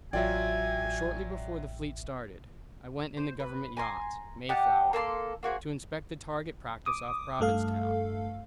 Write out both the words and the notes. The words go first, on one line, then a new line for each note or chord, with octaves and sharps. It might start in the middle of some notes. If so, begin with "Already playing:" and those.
But shortly before the fleet started, I went in the Government yacht Mayflower to inspect the target practice off Provincetown.
A1 F#3 F4 D5 E5 G5 G#5
C5
B4
G#5 A#5 C6
G4 D#5 F#5 A5
A#3 A4 A5 C6
A#3 F#4 G#4 C5
D6 D#6
G2 A3 A4 F5